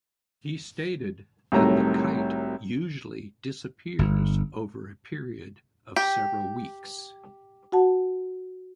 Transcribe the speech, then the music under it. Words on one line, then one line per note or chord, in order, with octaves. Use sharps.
He stated that the kite usually disappears over a period of several weeks.
C2 A2 D#3 F#3 A#5 E6
G1
G4
F#4 F#5 A5